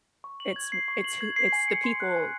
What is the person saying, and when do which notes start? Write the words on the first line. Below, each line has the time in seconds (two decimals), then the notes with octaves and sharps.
it's w it's who it's the people
0.24 C#6
0.40 F#7
0.56 G#6
0.72 C7
0.88 C#6
1.04 F#7
1.21 G#6
1.36 C7
1.53 G#5
1.68 C#7
1.84 C6
2.00 F#6
2.16 G#5